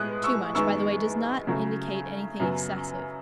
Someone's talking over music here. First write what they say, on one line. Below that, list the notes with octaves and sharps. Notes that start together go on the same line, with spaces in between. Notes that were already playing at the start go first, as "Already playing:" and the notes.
Too much, by the way, does not indicate anything excessive.
Already playing: A2 G#3 B3 D#6 F#6
C#6 E6
F#2 D#3 G#3 B3 C#6 E6
C#3 F#3 A3
F#2 C#3 F#3 B3